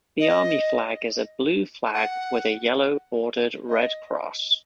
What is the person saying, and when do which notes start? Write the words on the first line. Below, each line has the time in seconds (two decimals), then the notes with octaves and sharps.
The army flag is a blue flag with a yellow bordered red cross.
0.20 D#5
1.94 F#5
3.68 D#5